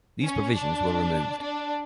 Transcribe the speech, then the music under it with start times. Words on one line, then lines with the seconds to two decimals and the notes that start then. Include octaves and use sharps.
These provisions were removed.
0.24 C#4
0.53 D4
1.41 D4